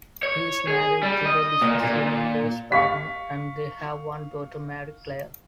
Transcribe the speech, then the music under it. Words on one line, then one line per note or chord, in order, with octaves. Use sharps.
He is married to the businesswoman Louise Patten and they have one daughter, Mary-Claire.
C#5
G#4
G3
D#5
A#2
A#2
F5 C#6 B6